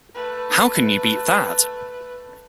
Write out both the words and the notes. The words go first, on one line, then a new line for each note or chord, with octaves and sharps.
How can you beat that?
A3 B4